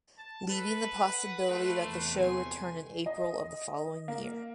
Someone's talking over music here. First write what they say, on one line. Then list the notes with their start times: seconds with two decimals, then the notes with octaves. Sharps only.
Leaving the possibility that the show returned in April of the following year.
0.17 A5
0.49 A4 B4
1.09 F#5
1.47 A3 C6
1.87 E2 C3
2.17 G#5 C6
3.06 D#5
4.08 A#3